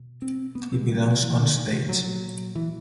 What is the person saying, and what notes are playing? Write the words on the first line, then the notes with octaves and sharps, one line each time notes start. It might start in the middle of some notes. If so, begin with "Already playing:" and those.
He belongs on stage!
Already playing: B2
C4
B3
C4
G#3
G3
F3
E3
D3
D#3
F3
A#2 F#3
E3